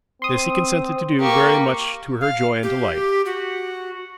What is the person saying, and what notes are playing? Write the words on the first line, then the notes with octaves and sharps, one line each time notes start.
This he consented to do very much to her joy and delight.
C4 C6 D#6
A#3 G4 C#6
F5
G4
F#4